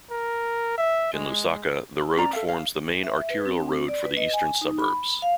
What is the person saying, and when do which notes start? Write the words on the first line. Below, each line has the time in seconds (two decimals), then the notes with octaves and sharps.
In Lusaka the road forms the main arterial road for the eastern suburbs.
0.11 A#4
0.78 E5
1.13 G#3
2.17 C#4 D5 A#5
2.33 A4 E5 F5
2.48 F5
3.04 E5
3.30 B4
3.46 C4
3.89 D5
4.05 B4
4.17 D#5
4.33 G#5
4.61 D#4
4.79 B5
5.22 F5